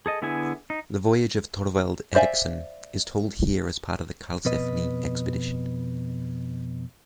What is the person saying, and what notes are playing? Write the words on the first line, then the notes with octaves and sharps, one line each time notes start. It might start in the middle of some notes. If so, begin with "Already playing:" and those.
The voyage of Thorvald Eriksson is told here as part of the Karlsefni expedition.
G#4 A4 D#5
D3 B3 E4 G#4 G#5
D#4
C5 D5 E5 F5 G#5
F2 B2 B4 D#5